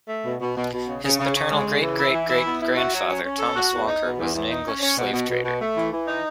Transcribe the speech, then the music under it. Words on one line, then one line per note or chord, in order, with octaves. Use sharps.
His paternal great-great-great-grandfather, Thomas Walker, was an English slavetrader.
A3
B2
B2
B2
B2
C#3
C#3
C#3
C#3
G#3
C#3
E3
E4
E3
E4
B3
E4
F#4
F#3
C#4
C#4
A4
F#4
E2
D#4
B2
E2
E2
D#4
C#4
C#4
B2
B2
B2
B2
A3
E3
E3
D#4